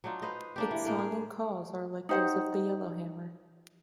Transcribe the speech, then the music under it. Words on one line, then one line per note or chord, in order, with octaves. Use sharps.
Its song and calls are like those of the yellowhammer.
F#3 D4 D#4 F4
B4 C5 D#5 F5
A#3 D4 G4
E3 A#3
A2 A#3 G5
G#4
D#4 G4 C5 F#5